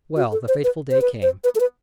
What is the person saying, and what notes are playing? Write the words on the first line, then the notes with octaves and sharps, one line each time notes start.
Well, the fateful day came.
F#4
A4
C5
B4
C5
B4
C5
B4
A4
B4